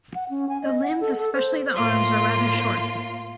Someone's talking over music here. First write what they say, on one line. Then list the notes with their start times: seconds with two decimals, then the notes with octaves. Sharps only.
The limbs, especially the arms, are rather short.
0.15 F#5
0.30 C#4
0.49 G#5
0.63 D#5
0.83 F#5
1.01 A4
1.16 A4
1.34 C5
1.74 A2 A#3 F4 C6